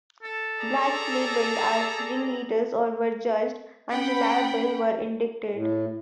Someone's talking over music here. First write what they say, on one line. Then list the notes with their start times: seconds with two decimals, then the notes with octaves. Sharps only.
Blacks labeled as ringleaders or who were judged "unreliable" were indicted.
0.23 A4
0.59 G#4 D5 A#5
3.90 C#4 F#5 G5 B5
5.54 A2